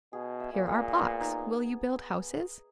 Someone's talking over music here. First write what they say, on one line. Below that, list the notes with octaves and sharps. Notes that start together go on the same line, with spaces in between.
"Here are blocks; will you build houses?"
B2 G#4
E5
A#2
G#4
B3
D#4